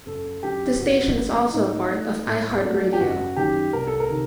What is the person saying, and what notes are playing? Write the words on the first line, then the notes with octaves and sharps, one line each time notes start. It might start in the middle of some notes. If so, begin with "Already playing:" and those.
The station is also a part of iHeartRadio.
F#1 A4
F#2 D3 G4
F#1 F#4
F#2 D3 A3
A2 D#4
A3 D4
A2
F#3 A3 D4
G4
F#1 F#4
F#2 D#3 G4
C2 A#4
A4
A#4
C3 D#3